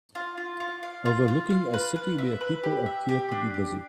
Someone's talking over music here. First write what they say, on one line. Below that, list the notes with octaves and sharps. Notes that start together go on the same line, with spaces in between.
Overlooking a city where people appear to be busy.
F4
F4
F4
F5
F4
F4
F5
B4
B4
E5
B4
G4
E5
G4
D4
G4